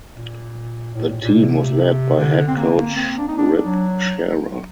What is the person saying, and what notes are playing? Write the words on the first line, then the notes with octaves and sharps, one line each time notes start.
The team was led by head coach Rip Scherer.
A#2
A2
A#2
A#2
C3
D3
C4
A#3
A#3
C4
D4
D#4
D4
F#3